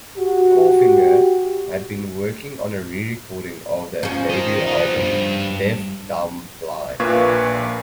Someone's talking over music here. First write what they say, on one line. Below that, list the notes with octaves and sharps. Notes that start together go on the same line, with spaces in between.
Clawfinger had been working on a re-recording of their debut album "Deaf Dumb Blind".
F#4 G4
F3 C#4
A#4 D#5
B3 D#4
G2
A#1 A#2 B4 F5 C#6 G#6